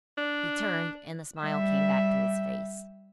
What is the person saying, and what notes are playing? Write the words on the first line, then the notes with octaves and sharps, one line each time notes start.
He turned, and the smile came back to his face.
D4
G3 E5